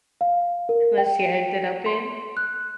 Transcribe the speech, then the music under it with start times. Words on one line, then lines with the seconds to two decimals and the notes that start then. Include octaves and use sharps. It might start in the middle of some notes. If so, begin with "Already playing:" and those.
that she ended up in
0.21 F5
0.69 A#4
0.98 G5
1.86 C6
2.37 F#6